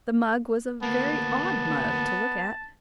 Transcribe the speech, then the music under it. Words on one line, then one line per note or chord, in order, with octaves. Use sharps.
The mug was a very odd mug to look at.
D2 A#3 B3 A5